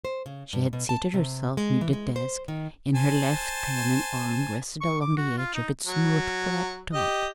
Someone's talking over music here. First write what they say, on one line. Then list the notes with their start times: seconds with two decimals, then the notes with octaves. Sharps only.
She had seated herself near the desk, and her left hand and arm rested along the edge of its smooth flat top.
0.05 C5
0.26 C#3
0.53 G2
0.73 B2
0.89 A5
1.14 C3
1.57 G#3
1.81 E3
1.93 G#3
2.16 C5
2.48 D#3
2.95 C5 G#5 A5
4.81 C#6
5.01 D6
5.17 F#4
5.38 F4
5.54 D#4
5.87 F#3
6.93 G4 D#5